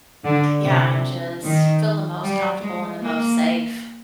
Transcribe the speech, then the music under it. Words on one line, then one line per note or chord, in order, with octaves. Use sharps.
Yeah, and just feel the most comfortable and the most safe.
D3
C3
D#3
G3
G#3
A#3